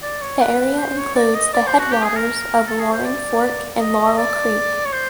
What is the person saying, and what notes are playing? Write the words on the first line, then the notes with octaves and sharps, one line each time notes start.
The area includes the headwaters of Roaring Fork and Laurel Creek.
D5
C#5
B4
C5
C#5
D5
D#5
D5
C5
F#4
G4
G#4
A#4
A4
G#4
C5
D5
D#5
D5
C#5
C5